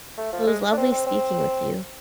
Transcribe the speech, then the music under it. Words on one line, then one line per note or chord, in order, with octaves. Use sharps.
Well, it was lovely speaking with you.
A3
F3
G#3
D4
C4
C4
C4